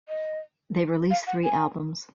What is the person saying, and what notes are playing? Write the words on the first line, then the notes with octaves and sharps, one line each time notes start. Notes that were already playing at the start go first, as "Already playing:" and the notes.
They've released three albums.
D#5
F5
F#5
G#5